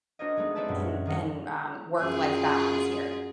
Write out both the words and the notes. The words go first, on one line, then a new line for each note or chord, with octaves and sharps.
and and, um, work life balance here?"
D4 F#4 A#4 C5 C#5 D#5
F#3 G#3 A3 B3 D#4
C4 B4 C#5 D5 E5 A5
F#2 A#2 F#3 G#3
F#4
D#1 D#3 D#5 F#5
F#2 F4 G#4